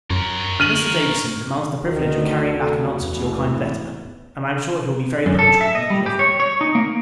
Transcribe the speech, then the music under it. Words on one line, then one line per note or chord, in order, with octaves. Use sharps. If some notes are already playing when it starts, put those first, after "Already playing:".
Mr. Davison demands the privilege of carrying back an answer to your kind letter; and, I am sure, he will be very punctual in the delivery.
F#2 A#4 C#5
D3 F6 D#7 F#7
D2 D3 D#3 F#4
A4
A1 E2 G#2 E3 B3
F#2
A4
E5
D#5
G3
G4
C#5
C#5
D#4
A#3